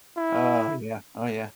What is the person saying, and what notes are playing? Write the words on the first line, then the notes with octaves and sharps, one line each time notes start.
Oh, yeah, oh, yeah.
E4